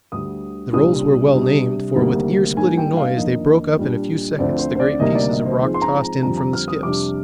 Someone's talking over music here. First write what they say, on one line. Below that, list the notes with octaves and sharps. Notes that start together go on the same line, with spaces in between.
The rolls were well named, for with ear-splitting noise they broke up in a few seconds the great pieces of rock tossed in from the skips.
D2 D3 G3 D#6
C2 A#2 G3 D4 D#6
C3 G3 D4
D2 C3 D#3 G3 A#3
G#2 G3 A#3 D4 G#5
G5
F5
F2 D#3 A#3 D4 D#5
A#2 G3 D4
D2 D3 F3 C4 D5
C5
C5
D5
D2 C3 D#3 G3 A#3 D#5
D5
D#5
C5
G#2 F3 G#3 C4 C5
C6
A#5
A#5
F2 D3 G3 C4 A#5
A#5
F6
D#6
F2 C3 G3 D4 D6